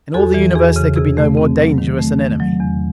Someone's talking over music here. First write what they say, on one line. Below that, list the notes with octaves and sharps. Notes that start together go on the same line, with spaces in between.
In all the universe there could be no more dangerous an enemy.
E2 F#4 A4
E3
E2 G#4
C#3
C3 G#4
A3
C4
F#3
D#3
A3
D#3
F#3
E2